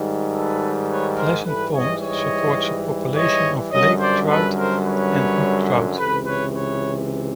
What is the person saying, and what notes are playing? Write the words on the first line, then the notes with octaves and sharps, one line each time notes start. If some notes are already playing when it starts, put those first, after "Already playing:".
Pleasant Pond supports a population of lake trout and brook trout.
Already playing: G#2 D#3 G3
A4 B4
B4 C#5
A#4 C5
G#2 E3 G3 A4 B4
C#5 D#5
C#5 D#5
C#5 D#5
F#2 D3 G3 C#5 D#5
C5 D5
A4 B4
A#4 C5
B4 C#5
C#2 C3 E3 A4 B4
B4 C#5
B4 C#5